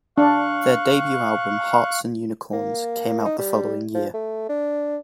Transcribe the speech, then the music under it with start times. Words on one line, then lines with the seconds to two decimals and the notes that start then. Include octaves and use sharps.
Their debut album, "Hearts and Unicorns", came out the following year.
0.18 D4 F5 C#6 F#6
2.53 A#3
3.25 D#4
3.39 G3
3.95 F3
4.14 A3
4.49 D4